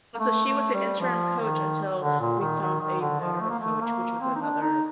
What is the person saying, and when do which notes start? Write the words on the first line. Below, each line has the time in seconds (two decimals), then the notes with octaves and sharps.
And so, she was the interim coach until we found a better coach, which was another
0.15 A#3
0.19 A3
0.46 A3
0.73 G3
1.00 F3
1.40 D#3
2.01 D3
2.20 A#2
2.40 D#3
2.61 D#3
2.81 D#3
3.01 D3
3.21 F3
3.40 A3
3.50 A#3
3.59 A3
3.81 A#3
4.21 C4
4.36 D#4
4.41 D4
4.61 D#4